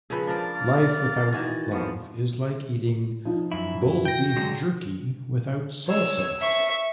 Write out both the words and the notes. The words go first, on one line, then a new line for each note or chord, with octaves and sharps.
Life without love is like eating bull-beef jerky without salsa!
C#3 F3 B4 E6
F3 D4 A#4 A6
A#3
D#3 E3 F#4
F3 B3
F3 D#4
F#2 E4
F#4
G5 A#6
D3 F#3 G#3
C#5 E6
E5 C#6